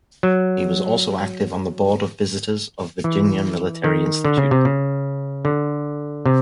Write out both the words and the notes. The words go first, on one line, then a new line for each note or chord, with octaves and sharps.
He was also active on the Board of Visitors of Virginia Military Institute.
F#3
E3
D#3
D3
C#3
C3
C#3
D3
C3